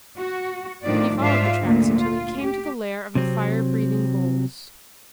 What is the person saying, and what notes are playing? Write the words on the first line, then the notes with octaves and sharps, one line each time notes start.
He followed the tracks until he came to the lair of the fire-breathing bulls.
F#4
A2 D#3 F3 D4 D5
G#2 D4 F4 C5 E5 F5
D2 A#2
F4
G4
C3 F#3 C4